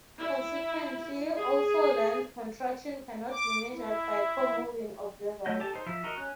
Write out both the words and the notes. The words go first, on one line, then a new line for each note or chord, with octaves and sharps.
Consequently, also length contraction cannot be measured by co-moving observers.
E4
G#4
D6
E4
A3 E4 D#5 G6
G4 A4 A5
D#4 C5
F3 E4 F5 E6
F#4 A#4 D#5
C#4 F#6